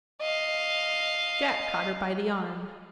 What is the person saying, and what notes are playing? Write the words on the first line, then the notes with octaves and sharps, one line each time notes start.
Jack caught her by the arm.
D#5 F5